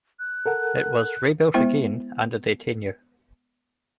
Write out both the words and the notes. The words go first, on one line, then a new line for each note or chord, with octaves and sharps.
It was rebuilt again under their tenure.
F#6
A4 A#4 F#5
G#3 B3 E4 C5 G5